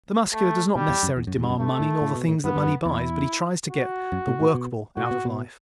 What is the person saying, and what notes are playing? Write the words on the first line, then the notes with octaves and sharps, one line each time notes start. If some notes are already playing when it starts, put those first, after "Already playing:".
The Muscular does not necessarily demand money nor the things that money buys but he tries to get the workable out of life.
A3
B2 G3
E2
F#2
E2
F#2
E2
G2
F#2
G2 A3
A2
A2
B2
A2
G2 B3
G2
F#2
E2 E4
F#4
F#2
A2
A2
B2
A2 F#4
B2
B2